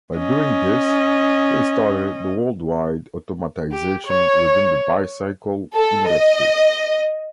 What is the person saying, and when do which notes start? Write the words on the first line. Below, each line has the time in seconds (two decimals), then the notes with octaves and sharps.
By doing this they started the worldwide automatization within the bicycle industry.
0.17 C#4 D#5
3.71 G4
4.07 C#5
5.75 A4
6.09 D#5